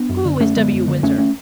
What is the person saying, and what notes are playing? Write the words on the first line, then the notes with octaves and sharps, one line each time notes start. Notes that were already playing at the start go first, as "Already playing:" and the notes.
Who is W. Windsor?
Already playing: B3 D4
F#2
D3
F#2 A3 C#4
D3 G#3 B3
F#2
D3
F#2 A3 C#4
A3 C#4